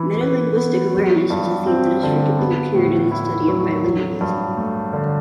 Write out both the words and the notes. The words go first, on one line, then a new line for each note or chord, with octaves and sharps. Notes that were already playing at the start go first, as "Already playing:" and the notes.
Metalinguistic awareness is a theme that has frequently appeared in the study of bilingualism.
Already playing: E3 E4
B4
B3
F#3
G2
C4
D3
B3
A2
E4
F#3
F#3
G2
A3
D3